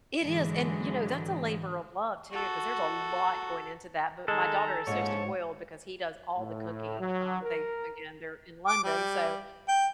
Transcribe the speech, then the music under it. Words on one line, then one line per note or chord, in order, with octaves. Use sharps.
It is, and, you know, that's a labor of love too 'cause there's a lot going into that, but my daughter is so spoiled because he does all the cooking. Um, they again, they're in London, so,
G#2 D3 E3 F#3 G#3
F#4 A4
D#3 G#3 A4 G#5 A#5
A#1 G#2 C#3 C#5
A2
F#3
A#4
D6
G3
G5